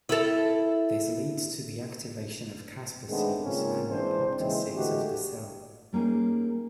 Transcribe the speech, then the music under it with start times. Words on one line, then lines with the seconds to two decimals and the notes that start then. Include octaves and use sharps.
This leads to the activation of caspases and apoptosis of the cell.
0.09 E4 A4
3.09 D#3 G#3 A3 B3 C4 D4
3.44 G#2 C#3 A#3 C4 C#4 F4
3.89 E3 G#3 C4 D4 C5
4.37 D#2 C#3 E3 G#3 C4
4.74 D3 E3 G#3 A3 F#4 G4
5.93 G3 A#3 C#4 D#4 G#4